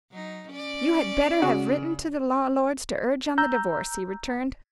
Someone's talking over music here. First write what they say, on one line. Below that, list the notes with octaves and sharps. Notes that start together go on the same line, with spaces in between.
"You had better have written to the law lords to urge on the divorce," he returned.
F#3 D#4
C#4 D5
C#3 F#4
A#5 E6 G6